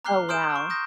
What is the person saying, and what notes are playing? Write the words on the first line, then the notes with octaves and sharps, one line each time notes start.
Oh, wow.
A#5 D6 F6 F#6 C7 G7
C6 D#6 F6 G6 D7 E7
C#6
D#6 G6 A#6